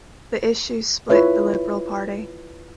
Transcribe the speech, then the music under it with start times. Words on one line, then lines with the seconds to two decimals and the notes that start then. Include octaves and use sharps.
The issue split the Liberal Party.
1.10 E4 F4 B4 C#5 E5